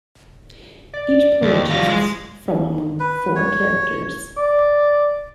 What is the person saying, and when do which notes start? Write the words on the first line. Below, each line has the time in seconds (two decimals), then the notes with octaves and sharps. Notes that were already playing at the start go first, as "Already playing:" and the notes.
Each player chooses from among four characters.
0.94 D5
1.42 D#2
1.70 G3 F4 A#6
1.89 G#3
3.00 B4
3.36 C#5
4.37 D5